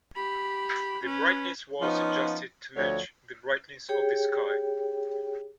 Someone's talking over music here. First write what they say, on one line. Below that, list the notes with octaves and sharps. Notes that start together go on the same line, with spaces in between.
The brightness was adjusted to match the brightness of the sky.
G4 B5
C#4 B4
F3 B3 C#4 D#4 F4
D2 D3 F3 C#5
G4 G#4 C#5 G5